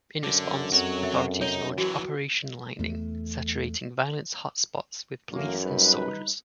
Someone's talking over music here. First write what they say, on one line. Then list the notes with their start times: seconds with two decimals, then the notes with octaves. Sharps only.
In response, authorities launched Operation Lightning, saturating violence hotspots with police and soldiers.
0.23 F#2 D3
0.72 F2 F#4 C#5
1.03 E5
1.41 D#4 C#5
1.78 E3 F#3 F#4
2.79 E2 A3
5.32 F#2 E3 A3 A#3
5.63 G3 D#4 B4